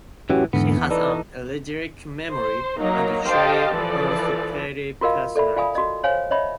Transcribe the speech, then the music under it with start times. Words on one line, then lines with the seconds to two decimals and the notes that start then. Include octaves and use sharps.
She has an eidetic memory, and a cheery, almost perky personality.
0.29 F#2 A2 E3 C#4 F#4 G4
0.53 E2 G#2 D3 B3
0.91 E3 D#4 A4 B4 D5
2.29 C5
2.78 F#3 A#3 D#4 A#5
3.26 G4 C5 D#5 F5 G5 A5
3.72 E3 F3 A4 B4 D5
5.01 F4 F#4 A#4 D#5 F5
5.36 A4 D5 E5 B5
5.56 F4 D5 F5 G#5 B5 D#6
5.75 F#4 D#5
6.03 C5 C#5 F5 G#5
6.31 C#5 D#5 E5 B5